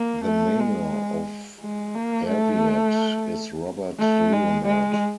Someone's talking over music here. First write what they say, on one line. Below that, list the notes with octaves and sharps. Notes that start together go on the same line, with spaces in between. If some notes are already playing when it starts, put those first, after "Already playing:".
The mayor of Arviat is Robert Leonard.
Already playing: A#3
A3
G#3
G#3
A#3
A3
A3
G#3
G#3